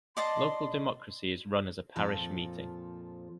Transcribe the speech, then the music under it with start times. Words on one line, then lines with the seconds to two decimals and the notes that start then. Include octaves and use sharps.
Local democracy is run as a Parish meeting.
0.17 D5 D#5 A5 C6
1.96 F2 A#2 F3 A4